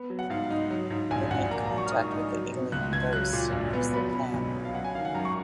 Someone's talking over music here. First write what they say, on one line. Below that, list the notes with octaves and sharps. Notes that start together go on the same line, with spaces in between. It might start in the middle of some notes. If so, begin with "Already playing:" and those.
They make contact with the alien "ghosts" and use their plan.
Already playing: B3
F#3
F#5
G#2 F5
D#4
F#3
G#2
A#1 G#5
A#1 F#5
A#3 A#5
A#5
F#3
C#6
F6
G#2 D#6
D#4
F#3
B2
C#2 F#6
C#2 G#6
F#3 F#6
A#2
A#1
B3
F#3 B5
B2
B1
C#4
F5
F#3 F#5
G#5
D#3 F5
F#5
F#2 A#5
C#6